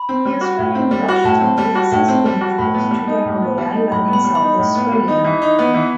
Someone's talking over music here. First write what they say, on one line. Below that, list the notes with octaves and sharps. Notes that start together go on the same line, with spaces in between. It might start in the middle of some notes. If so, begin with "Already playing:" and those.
The Australian brushturkey has also been introduced to Kangaroo Island in South Australia.
Already playing: B5
C4
G3
F#4
A2
C4
G3
F#4
A2 A5
C4
G3
F#4
A2
C4
G3
F#4
A2 B5
B3
G3
D#4
A2
B3
G3
D#4
A2 B5
B3
B5
G3
B5
D#4
A2
B3
G3
D#4
E3
D#4
B3
E3